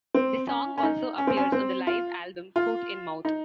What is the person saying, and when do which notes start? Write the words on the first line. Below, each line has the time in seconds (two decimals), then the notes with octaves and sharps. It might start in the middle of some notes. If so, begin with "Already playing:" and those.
The song also appears on the live album "Foot in Mouth".
0.14 C4
0.49 C#4
0.78 C#4
0.83 D#4
1.18 C#4
1.27 C4
1.37 C#4
1.52 C4
1.87 F4
2.56 F4
3.25 D#4